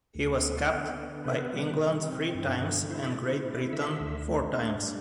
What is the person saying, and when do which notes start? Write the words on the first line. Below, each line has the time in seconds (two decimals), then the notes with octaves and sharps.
He was capped by England three times and Great Britain four times.
0.15 D2
0.42 B3
0.70 D3
0.97 B3
1.24 C3 B4
1.52 G3
1.79 C3
2.07 C4
2.35 G2
2.62 D3
2.90 E4 C5
3.04 E5
3.11 D5
3.18 E4
3.32 C5
3.45 E4
3.53 D5
3.73 D3 E5
4.00 D2
4.28 A3
4.56 D4
4.83 G3